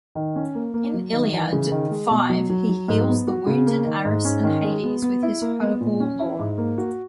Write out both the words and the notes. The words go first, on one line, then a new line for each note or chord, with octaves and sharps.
In "Iliad" V he heals the wounded Ares and Hades with his herbal lore.
D#3
C#4
A#3
A#3
F#3
D#3
E3
C#3
D#3
G#3
B2
F#3
F#3
F#3
G#2
B3
F#4
C#3
A#3
D#3
G#2
C#4
D#3
G#3
B3
B3
E4
A#3
B3
A#2
C#4
E4
G#2
A#3
F#4